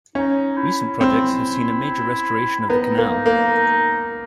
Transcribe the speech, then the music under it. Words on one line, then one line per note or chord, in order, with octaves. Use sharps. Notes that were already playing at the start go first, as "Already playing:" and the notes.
Recent projects have seen a major restoration of the canal.
C#4 D#4
E4
C4
E4
B3 D#4
A#3
A#3